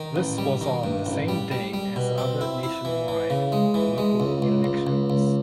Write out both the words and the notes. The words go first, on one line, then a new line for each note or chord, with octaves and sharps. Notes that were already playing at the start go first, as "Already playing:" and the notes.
This was on the same day as other nationwide local elections.
Already playing: D#3
A1
G3
D#3
G2
A1
G3
G3
G3
B2
C4
E4
E4
E3
E3
C#3
G#3
E3
G#3
C#2
C#2
C#2
C#2
C#2